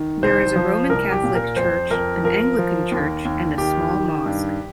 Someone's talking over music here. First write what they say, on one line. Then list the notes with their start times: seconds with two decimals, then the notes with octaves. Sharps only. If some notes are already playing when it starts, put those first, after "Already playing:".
There is a Roman Catholic church, an Anglican church, and a small mosque.
Already playing: D#3
0.22 C2 C5
0.56 F3
0.90 C2 A#4
1.12 G4
1.24 A#2
1.35 A#4
1.56 F2 C5
1.91 F2 A#4
2.24 F3 A#4
2.58 F3
2.91 D#2
3.25 D#2
3.58 D#3 G4
3.92 D#3
4.26 G2